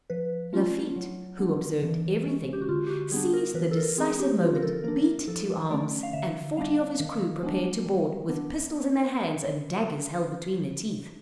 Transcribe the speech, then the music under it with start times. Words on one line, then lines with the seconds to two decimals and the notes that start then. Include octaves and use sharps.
Lafitte, who observed every thing, seized the decisive moment, beat to arms, and forty of his crew prepared to board, with pistols in their hands and daggers held between their teeth.
0.10 F3 B4
0.53 A3 C#4 F4
0.96 F#3
1.39 B3 D4
1.83 E3
2.25 G#3 C#4
2.53 G4
2.61 F#4
2.69 D3 F4
2.86 G4
2.90 F#4
3.12 G3 B3 D4 G#4
3.33 A#4
3.54 E3 B4
3.71 A4
3.77 A#4
3.98 G#3 C4 G#4
4.19 G4
4.41 F3 F4
4.55 A#4
4.62 A4
4.84 A#3 A#4
4.88 D4
5.28 F3 A4
5.71 A3 C#4 D5
6.03 F5
6.13 D3 E5
6.57 G3 B3 D4 F5
7.00 D#3
7.43 G#3 B3 D4
7.86 G3
8.29 B3 D4